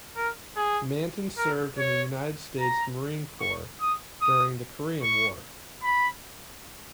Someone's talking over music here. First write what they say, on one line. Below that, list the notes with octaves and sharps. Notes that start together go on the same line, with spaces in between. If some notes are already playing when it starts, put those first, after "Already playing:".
Manton served in the United States Marine Corps during the Korean War.
A#4
G#4
A#4
C#5
A#5
C#6
D#6
D#6
C#6
B5